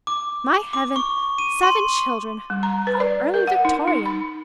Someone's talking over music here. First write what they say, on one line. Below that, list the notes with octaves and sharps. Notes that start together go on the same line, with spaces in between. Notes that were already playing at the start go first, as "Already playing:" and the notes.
"My heaven--seven children! How early Victorian!"
D6
D6
C#6
D#7
C6
G3
A#5
B4
D5
A#4
F#5
D#4
D#4
B5